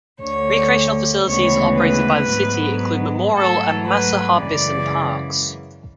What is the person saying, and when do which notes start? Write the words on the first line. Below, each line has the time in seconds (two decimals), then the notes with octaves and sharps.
Recreational facilities operated by the city include Memorial and Masa Harbison parks.
0.21 D2 D3 A3 C#5
1.26 D2 C#3 E3 G#3 B3 C#5
1.78 B4
2.30 G#2 F#3 B3
3.34 G#2 F#3 A3 A4
3.86 B4
4.39 F#2 C#3 E3 G#3 D5